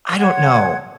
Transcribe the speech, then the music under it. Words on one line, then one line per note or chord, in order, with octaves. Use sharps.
I don't know.
C#5 F#5 C6 G#6